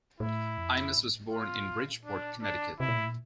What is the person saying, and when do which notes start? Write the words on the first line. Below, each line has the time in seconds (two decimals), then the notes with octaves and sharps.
Eimas was born in Bridgeport, Connecticut.
0.20 A2 E4
0.58 F2
0.95 A2
1.31 F4
1.69 A#2
2.06 D4
2.42 C3 D4
2.80 C3 E4
2.88 A#2
2.97 A2
3.06 A#2